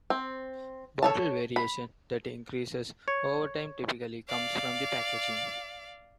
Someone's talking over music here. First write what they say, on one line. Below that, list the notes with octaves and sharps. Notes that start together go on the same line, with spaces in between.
Bottle variation that increases over time typically comes from the packaging.
C4
A4 C#5 A5
B5
C#5
D5 F5